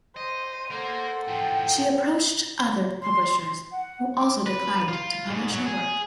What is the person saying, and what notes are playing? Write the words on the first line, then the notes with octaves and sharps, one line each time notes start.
She approached other publishers, who also declined to publish her work.
C5 D#5
A#3 A4 A#4 C5 F#5
A2 F3 G5
C6
F#5
D6
B4
F4
G#2
F#3
G#4